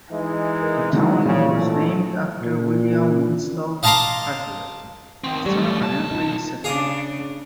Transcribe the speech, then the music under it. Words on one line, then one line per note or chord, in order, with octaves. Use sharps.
The town was named after William Winslow Hathaway, son of an early settler.
E3 G#3 D#4
A#4
A#1 D#3 F#3 G#3 E4
A#2 C#3 E3
G#2 A3
A#2
D#5 F5 A5 A#5 C6 D6
D#3 C4
F#3 G3 A3
B1 A5
D#4 F4
C#3 D4 G#4 F5 D#6